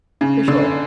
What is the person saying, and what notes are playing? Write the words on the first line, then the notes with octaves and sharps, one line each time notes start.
For sure.
C#3
D3